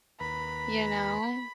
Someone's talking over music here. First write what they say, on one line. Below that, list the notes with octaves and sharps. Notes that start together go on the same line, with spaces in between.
You know?
D#2 B4 A#5 B5